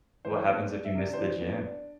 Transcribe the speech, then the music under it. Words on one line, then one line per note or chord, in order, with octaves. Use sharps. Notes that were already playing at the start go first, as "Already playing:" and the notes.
What happens if you miss the gym?
E3 C5
B3
D4 D5
E5
C3 D5
C5
E3 D5
B3
D4